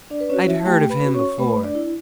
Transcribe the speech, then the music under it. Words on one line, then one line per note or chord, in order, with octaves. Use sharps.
I had heard of him before.
D4 D5
B4
C#4 F#4 C#5
E4 E5
A5
A3 G4 G5
B4 B5
C#4 F#4
C#5 C#6
A3 B4 B5
D4 D5
E4